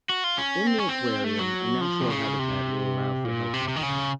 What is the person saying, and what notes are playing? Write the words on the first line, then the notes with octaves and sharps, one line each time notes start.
In the aquarium, a natural habitat will allow for healthy fish.
F#4
F4
C#4
C4
C#4
C4
A3
F#3
F3
C3
C#3
C3
A#2
C3
C3
D#3
C#3